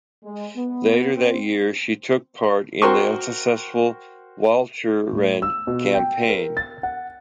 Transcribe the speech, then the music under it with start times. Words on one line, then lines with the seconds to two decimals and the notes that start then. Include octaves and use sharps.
Later that year she took part in the unsuccessful Walcheren Campaign.
0.24 G#3
0.54 B3
1.13 C4
2.82 F#4 A#4 C5 G5 C6 C#6
5.12 A2
5.42 E6
5.67 B2
5.95 G5
6.29 A#4
6.57 A6
6.83 F#5